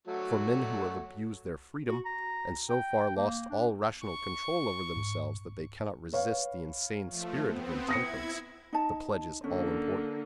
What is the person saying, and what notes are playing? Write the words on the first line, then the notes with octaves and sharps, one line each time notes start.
For men who have abused their freedom, and so far lost all rational control over themselves that they cannot resist the insane spirit of intemperance, the pledge is all important.
F#3 A3 F#4
F#4
A#5
G5
A#3
D4
C#6
G#2
B4 C#5 F5
F3 A3
B3 C4
E4 D#6 G#6 A#6 C#7
D#4 A5
D3 A#3 C#4